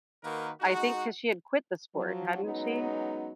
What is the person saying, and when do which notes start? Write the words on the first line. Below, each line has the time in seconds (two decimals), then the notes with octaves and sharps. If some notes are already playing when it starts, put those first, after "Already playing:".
I think 'cause she had quit the sport, hadn't she?
0.24 D#3 A#3 F#4 A#4 B4
0.61 G#3 D#4 F#4
1.95 F3 F#3
2.43 F#3 G#3 B3 C#4 D#4